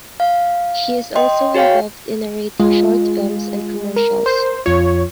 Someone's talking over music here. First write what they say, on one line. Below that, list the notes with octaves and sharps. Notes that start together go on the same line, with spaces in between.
He is also involved in narrating short films and commercials.
F5
D#5 G5 C6
F#4 G#4 C#5 F5 G5
G#3 F4
A#4
C5
F2 F4 C#5